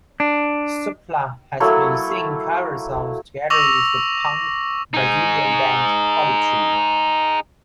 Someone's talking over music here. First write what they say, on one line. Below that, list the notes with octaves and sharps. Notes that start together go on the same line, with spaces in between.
Supla has been singing cover songs together with the punk Brazilian band Holly Tree.
D4
F#3 A3 A#3 E4
C#6 D6 E6 A#6 F7
D#4 G#4